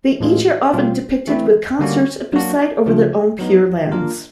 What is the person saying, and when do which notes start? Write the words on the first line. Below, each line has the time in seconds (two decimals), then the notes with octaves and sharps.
They each are often depicted with consorts, and preside over their own pure lands.
0.20 A2 E3 G#3 C#4 F4
0.74 B2 G3 C4 F4
1.27 E3 A3 C4 E4
1.79 D3 G3 A#3 C#4 F#4
2.33 F#3 A#3 D4 F#4
2.86 C#3 F3 A3 D4 F4
3.39 F#3 B3 D#4
3.92 A#3 D4 F4 A#4